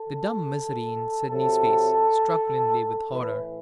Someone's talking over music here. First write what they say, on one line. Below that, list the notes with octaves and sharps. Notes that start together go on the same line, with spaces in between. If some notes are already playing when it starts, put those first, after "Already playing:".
The dumb misery in Sydney's face struck Linley with horror.
Already playing: A4
C3 F#3 A4
A2 E3 B4